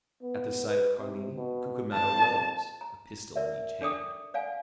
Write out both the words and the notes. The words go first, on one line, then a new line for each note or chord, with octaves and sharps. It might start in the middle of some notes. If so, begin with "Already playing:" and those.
At the sight of Carlini, Cucumetto rose, a pistol in each hand.
B3
B4
C3
B2
F2 A5
A#5
A#4 D5 E5
D4 A4 D5 G5 D6 D#6
D5 F5 F#5 G#5